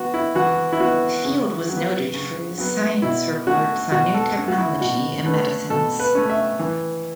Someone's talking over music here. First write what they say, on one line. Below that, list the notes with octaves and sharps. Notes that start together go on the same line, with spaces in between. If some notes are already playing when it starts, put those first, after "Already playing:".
Field was noted for his science reports on new technology and medicines.
Already playing: E3 B3 F#4
E4
E3 F#4
E4
B3 F#4
C#3
F#3 B3
C#3
F#3 B3
B2 E4
A3 C#4 F#4
B2 F#4
A4
A3 C#4
F#4
E4
B2 F#4
A3 C#4 B4
B2 A4
B4
A3 C#4
E5
E3